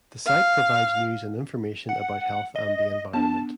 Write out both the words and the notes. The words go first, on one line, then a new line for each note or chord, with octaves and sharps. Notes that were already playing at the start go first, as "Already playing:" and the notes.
The site provides news and information about health and the environment.
F5
F#5
D#5
B3 D4 A5